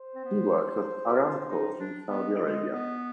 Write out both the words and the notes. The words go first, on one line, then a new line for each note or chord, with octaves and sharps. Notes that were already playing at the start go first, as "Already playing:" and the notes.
He works at Aramco in Saudi Arabia.
Already playing: C5
C4
B3
G4
F4
D#4
D4
B3 D#5
G#3
B3